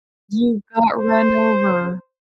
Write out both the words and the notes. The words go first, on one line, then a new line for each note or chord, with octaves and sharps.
You got run over.
C5